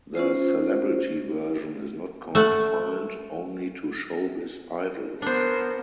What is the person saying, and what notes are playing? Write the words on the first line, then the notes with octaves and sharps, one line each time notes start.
The celebrity version is not confined only to showbiz idols.
C#4 F4 C5
A3 F#5
B3 D4 A#4 C5